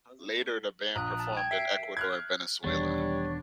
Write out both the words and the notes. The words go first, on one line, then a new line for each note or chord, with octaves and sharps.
Later, the band performed in Ecuador and Venezuela.
A#1 A#5 D#6 F#6
A5
G5 G#6
E5 B6 C7 D7
F6 F#6 G#6
E1 E2 D#3 G3 B3 D4 C#5